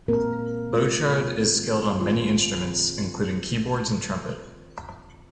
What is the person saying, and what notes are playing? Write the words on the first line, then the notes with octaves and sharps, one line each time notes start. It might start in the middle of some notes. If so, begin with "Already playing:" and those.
Bouchard is skilled on many instruments including keyboards and trumpet.
A#2 G#3 A#3 C4 A#4
A#2 G#3 C4 F4
D#3 C4
G#4
D#3 C4 F4
D#3 C4